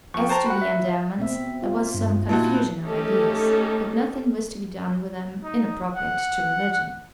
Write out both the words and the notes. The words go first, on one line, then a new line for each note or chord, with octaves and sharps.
As to the endowments, there was some confusion of ideas; but nothing was to be done with them inappropriate to religion.
F2 G5 C#6
C5 A5 A#5
F#4 F#5 B5
E5
B2 C4 E5
F4
G2
A#2 D#4 E4 F#4 A5
A3 C#4 D#4 G4 A4
D#4
F#5